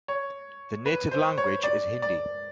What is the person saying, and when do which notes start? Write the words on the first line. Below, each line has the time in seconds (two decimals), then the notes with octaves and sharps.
The native language is Hindi.
0.08 C#5
0.86 B4
1.11 C5
1.38 C#5
1.63 D5
2.02 D5